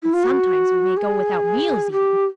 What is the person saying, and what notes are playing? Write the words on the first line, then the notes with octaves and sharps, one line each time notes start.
And sometimes we may go without meals, even.
E4
F4
F#4
G#4
G4